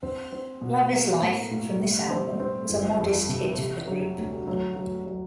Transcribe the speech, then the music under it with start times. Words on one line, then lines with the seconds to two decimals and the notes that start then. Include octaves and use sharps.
"Love is Life", from this album, was a modest hit for the group.
0.03 C4
0.32 C4
0.61 B2
0.92 A#3
1.21 A2
1.51 A2
1.80 G3
2.10 C4
2.40 C4
2.69 G1
2.99 F2
3.29 C3
3.58 C3
3.88 F#3
4.18 D2
4.48 F#3
4.76 F#3
5.06 F#3